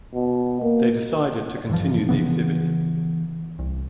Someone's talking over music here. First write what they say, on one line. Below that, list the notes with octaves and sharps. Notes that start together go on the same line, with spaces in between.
They decided to continue the exhibit.
B2
A#3
G2 E3 F3
C#3 E3 B3
C2